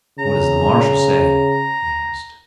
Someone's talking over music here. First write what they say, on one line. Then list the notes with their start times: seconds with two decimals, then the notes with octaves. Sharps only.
"What does the marshal say?" he asked.
0.19 C#3 A#5